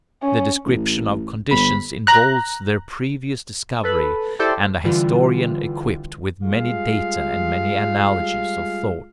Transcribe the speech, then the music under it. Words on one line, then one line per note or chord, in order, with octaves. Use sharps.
The description of conditions involves their previous discovery and a historian equipped with many data and many analogies of thought.
C#4
A1
G1 B5
A#5 F#6
A4 B4 B5
E4 G4 A4 C5 D5
D3 E3 G3 F4
G3 G#3 F4 F5